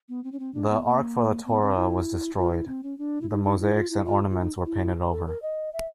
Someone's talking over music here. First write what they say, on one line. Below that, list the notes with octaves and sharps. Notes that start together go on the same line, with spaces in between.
The ark for the torah was destroyed; the mosaics and ornaments were painted over.
B3
C4
C#4
C4
D4
B3
A#3
B3
C4
E4
F4
E4
C4
C#4
D4
E4
D#4
D#4
E4
F4
E4
F4
F4
D#4
E4
A4
A#4
D#5
E5